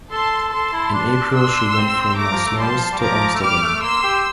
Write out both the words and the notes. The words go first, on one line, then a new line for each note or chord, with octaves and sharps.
In April she went from Maassluis to Amsterdam.
A4 A5 C6
A4 A5 C6
E4
D4
C6 E6
C4
A3 A#5 D6
F3
A3
G3 A5 C6
F3
G3
F3 A#5 D6
A3
G3 D6 F6
A3
A3
A#3 C6 E6
G4